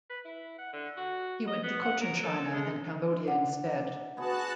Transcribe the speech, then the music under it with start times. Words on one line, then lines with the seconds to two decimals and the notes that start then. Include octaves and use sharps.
He went to Cochinchina and Cambodia instead.
0.10 B4
0.25 E4
0.58 F#5
0.73 D3
0.97 F#4
1.47 D#5
1.64 B3
1.82 F#5
2.01 A#4
2.23 A4
2.53 G#3
3.28 D4 F#5
4.17 B3 F#4 G#4 B4 A5 F#6